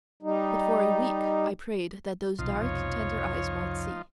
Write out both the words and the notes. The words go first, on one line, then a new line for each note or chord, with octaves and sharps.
But for a week I prayed that those dark tender eyes might see.
G3 D#4
B1 C3 F3 D#4 F4 F5
C2 F2 B2 C#5